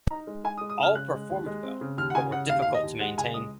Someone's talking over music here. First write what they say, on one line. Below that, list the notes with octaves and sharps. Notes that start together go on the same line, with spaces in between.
All performed well, but were difficult to maintain.
D#4 A#5
G#3
G#3 G#5
D#6
G#3
D#6
C#3 F6
C#3 F#6
G#3
D#2
G#3
C4
C#3
D#2 F6
F#5
C#3 G#5
C#3 F#5
D#2 F5
F5
D#2
D#5
D#2
G#3 F#5
C#2 G#5
G#3 D#6